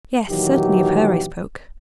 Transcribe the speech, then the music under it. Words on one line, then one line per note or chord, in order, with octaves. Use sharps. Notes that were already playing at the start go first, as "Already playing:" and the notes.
"Yes, certainly, of her I spoke."
A#2 D#3 E3 F#3 G4